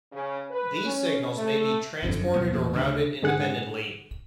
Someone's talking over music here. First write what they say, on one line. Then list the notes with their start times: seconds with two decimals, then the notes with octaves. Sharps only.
These signals may be transported or routed independently.
0.12 C#3
0.51 B4
0.85 C#4
1.37 A3
2.03 G1 F2 A#2 D3
2.17 F#2
2.35 D#2 B2 F#3 B3
2.53 A1 E2 A#2
2.74 D2 C#3 C4 D4
3.22 G#2 D3 G#4 F#5